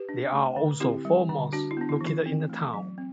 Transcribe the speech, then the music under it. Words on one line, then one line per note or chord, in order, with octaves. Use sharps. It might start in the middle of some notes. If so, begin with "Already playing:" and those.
There are also four mosques located in the town.
Already playing: G4 B4
D4
A3
D3
C4 E4 G4
G3
D3
D4 F#4
E4
B3 D4
E4
E3
E4
C4
A3
F#3
C4